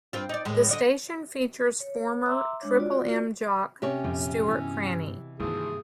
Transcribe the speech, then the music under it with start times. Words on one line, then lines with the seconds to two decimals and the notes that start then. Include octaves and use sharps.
The station features former Triple M jock, Stuart Cranney.
0.13 G2 C4 F4
0.29 D#4 D5
0.45 D#2 A2 G#3
0.69 D3 D5 D#5
1.80 C#5
2.26 E5 A#5 C6 D6 E6
2.60 G#3 D4 C#5 D6
2.78 F4 F#4 D5
3.82 C3 C#4 G4 C#5
4.04 A#1 F2 B3
4.46 G2 B2 E3
5.40 G#1 G2 E3 A#3 G#4 A5